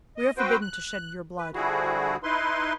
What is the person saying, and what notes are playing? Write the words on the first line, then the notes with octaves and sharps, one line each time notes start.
"We are forbidden to shed your blood."
D#5
C4 F#4 B4 C5 G5
F#6
B4
D3 F3 G3 E4 F#4 G#4
D#4 E4 B4 C6